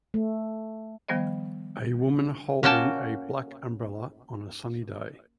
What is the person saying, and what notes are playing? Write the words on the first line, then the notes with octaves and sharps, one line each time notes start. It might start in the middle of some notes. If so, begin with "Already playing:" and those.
A woman holding a black umbrella on a sunny day.
A3
D#3 F3 G3 B3 C5 D#5
A#3 C#4 F#4 G5 A5